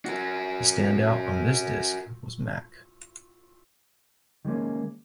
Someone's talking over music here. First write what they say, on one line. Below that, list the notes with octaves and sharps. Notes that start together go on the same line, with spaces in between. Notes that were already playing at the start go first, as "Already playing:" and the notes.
The standout on this disc was Mac.
F#4 A#4
D#3 G3 G#3 A#3 C#4